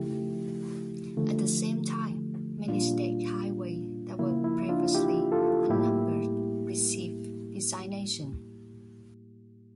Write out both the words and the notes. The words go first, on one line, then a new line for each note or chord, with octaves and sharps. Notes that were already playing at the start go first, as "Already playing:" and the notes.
At the same time, many state highways that were previously unnumbered received designations.
Already playing: C#3 F3 A3 E4 G4
D3 F3 A3
A#2 G3 A#3 D4 F4
C#3 F3 A#3 E4
E4
D4 F4
E4 G4
F4 A4
A2 G3 A#3 E4 G4